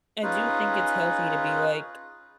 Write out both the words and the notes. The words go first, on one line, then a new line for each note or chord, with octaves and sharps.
I do think it's healthy to be like,
C#4 D#4 F4 G#4 B4